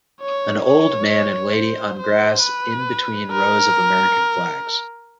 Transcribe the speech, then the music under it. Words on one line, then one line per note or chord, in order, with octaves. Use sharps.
An old man and lady on grass in between rows of American flags.
C#5
C#5
C#5
C5
C5
B4
A#4